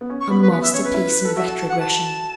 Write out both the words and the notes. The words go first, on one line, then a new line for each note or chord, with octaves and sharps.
A masterpiece in retrogression.
B3
C#4
C#6
B3 B5
B4
B3 B4
E5
C#4 C#5
C#4 B4
E4
A4
F#4 E5
A5
A5
F#5
A5